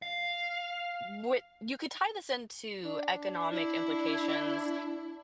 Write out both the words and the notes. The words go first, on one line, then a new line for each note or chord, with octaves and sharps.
what you could tie this into economic implications,
F5
D4
E4